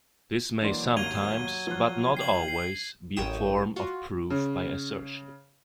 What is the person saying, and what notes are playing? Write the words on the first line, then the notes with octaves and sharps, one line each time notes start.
This may sometimes, but not always, be a form of proof by assertion.
E3 F#3 A#3 D4 C6
G#1 D#2 A#3 G#6 D#7 F7 G7
F3 F4 F#6
G5 C7 F#7
C7
A1 F#2 C#5 G5 D#6 E7
F4 F#4
C#3